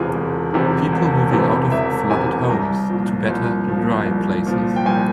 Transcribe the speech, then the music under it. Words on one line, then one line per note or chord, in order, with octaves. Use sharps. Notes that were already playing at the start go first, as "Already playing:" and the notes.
People moving out of flooded homes to better dry places.
Already playing: E1 E2 C3 E3 F4 G#4
E1
E2 C3 E3
E1
E2 C3 E3
E1 E5
E2 C3 E3 G#5
C2 A#5
A#2 F3
C2
A#2 F3
C2
A#2 F3
G5
C2 G#5